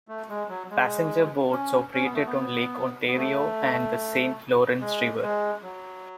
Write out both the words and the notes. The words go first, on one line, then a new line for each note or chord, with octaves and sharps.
Passenger boats operated on Lake Ontario and the Saint Lawrence River.
A3
G#3
F#3
G#3
C#4
C#4
B3
A3
B3
B3
A3
G#3
G#3
F#3